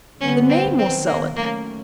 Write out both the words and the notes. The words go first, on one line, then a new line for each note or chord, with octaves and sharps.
The name will sell it!
D3 G3 B3 C#4
C4
D#3 F#3 B3 C4
A#3
D#3 F#3 A3 A#3 C#4